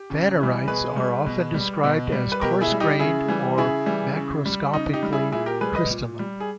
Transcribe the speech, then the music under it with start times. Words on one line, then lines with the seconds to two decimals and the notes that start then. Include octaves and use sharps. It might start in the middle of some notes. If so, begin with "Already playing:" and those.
Phanerites are often described as "coarse grained" or "macroscopically crystalline".
Already playing: G4
0.10 C#3
0.39 E3 G3
0.68 B2 G#4 B4
0.96 G3
1.26 B2
1.54 G3
1.84 B2
2.12 G3
2.32 B4
2.41 B2 G4 A#4
2.61 E4 G#4
2.71 G3
2.80 D#4 G4
2.99 C#3 E4 G#4
3.28 E3 G3
3.58 C#3 E4 G#4
3.86 E3 G3
4.16 C#3
4.45 G3
4.73 C#3 D#4
4.93 D#4 G4
5.03 G3
5.13 E4 G#4
5.32 A#2 E4 G#4
5.46 G4 A#4
5.61 G3 G#4 B4
5.75 B4 D#5
5.90 A#2
6.19 G3
6.40 G#4